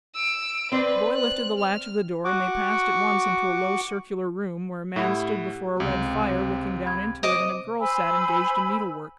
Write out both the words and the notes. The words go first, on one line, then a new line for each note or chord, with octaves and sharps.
The boy lifted the latch of the door, and they passed at once into a low circular room, where a man stood before a red fire, looking down into it, and a girl sat engaged in needlework.
E6 D7
C4 B4 C5 D5
F#6
F6
F#4 F#5 C#6 D6
A2 E4 G4 F#5
C#2 C3
B5 G#6
C5 D#5 D6 D7 E7
C5 G#5 B5 E6